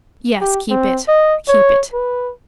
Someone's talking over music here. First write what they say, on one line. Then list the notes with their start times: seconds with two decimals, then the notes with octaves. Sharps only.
"Yes, keep it--keep it."
0.41 G4
0.70 C4
1.08 D#5
1.48 C#5
1.93 B4